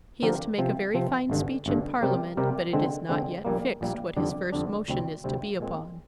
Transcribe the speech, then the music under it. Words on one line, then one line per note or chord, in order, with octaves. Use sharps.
He is to make a very fine Speech in Parliament, but it is not yet Fixed what his First Motion is to be upon.
D3 F3 C4 G4 A#4
C3 F3 C4
C3 F3 C4
G#1 G2 D3
G#1 G2 D3
C3 G3 C4 G4 A#4
C3 G3 C4 G4 A#4
D3 G#3 C4
D3 G#3 C4
A#1 A#2 G3 A#3
A#1 A#2 G3 A#3
F2 D3 G3 D4
F2 D3 G3 D4
D2 C3 G3 C4
D2 C3 G3 C4
A#2 G#3 C4